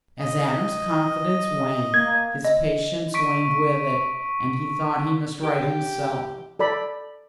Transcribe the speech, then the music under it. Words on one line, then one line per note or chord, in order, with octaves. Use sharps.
As Adam's confidence waned, his patience waned with it, and he thought he must write himself.
D#5
A#3 G#6
D#5
C#6 B6 D7
G4
A4 D5 B5